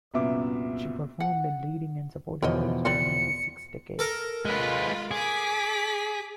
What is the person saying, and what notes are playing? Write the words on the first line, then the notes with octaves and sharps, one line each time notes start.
She performed in leading and supporting roles over nearly six decades.
C2 F#2 A#2 B3 E5 D6
F#5
E2 B2 F3 A#4 C#5 D#5
C4 B4 D5 C#7
A4 A#4
G#3 F4 B4 B5
G#4 D6 B6